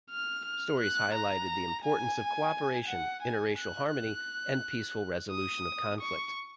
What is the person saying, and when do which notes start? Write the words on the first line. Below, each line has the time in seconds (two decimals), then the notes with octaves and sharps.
Stories highlighted the importance of cooperation, inter-racial harmony, and peaceful resolution of conflict.
0.11 F6
0.45 F6
0.80 F#6
1.14 A#5
1.84 G#5
2.88 F#5
3.23 G#5
3.58 F#6
3.92 F#6
5.31 D#6
6.01 C#6